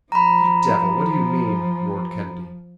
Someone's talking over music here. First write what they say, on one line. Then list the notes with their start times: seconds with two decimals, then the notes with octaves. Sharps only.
"You devil, what do you mean?" roared Kennedy.
0.12 F3 A#5 B5